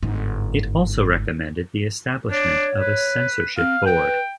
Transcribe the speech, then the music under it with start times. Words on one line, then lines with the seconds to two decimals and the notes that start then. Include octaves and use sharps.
It also recommended the establishment of a censorship board.
0.03 G1 G#2
2.31 D4 C#5
2.80 B4
3.58 C4 F5
3.86 B4 G5